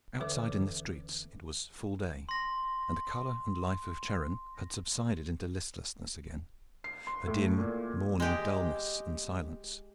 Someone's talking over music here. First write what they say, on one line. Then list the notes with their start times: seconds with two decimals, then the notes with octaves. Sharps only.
Outside in the streets it was full day, and the color and life of Charin had subsided into listlessness again, a dim morning dullness and silence.
0.20 D#2 D3 E3 A4 B4 D6
2.29 C6 A#6
6.84 C7
7.07 C6
7.27 A2
7.58 A#2
8.20 G#3 G4